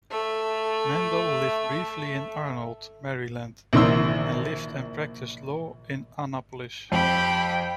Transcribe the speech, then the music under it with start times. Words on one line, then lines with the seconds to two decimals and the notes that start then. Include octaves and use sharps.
Mandel lived briefly in Arnold, Maryland, and lived and practiced law in Annapolis.
0.11 A3 E5
3.73 A#1 C3 D#3 E3 C6 E6
6.92 F2 G4 G5 B5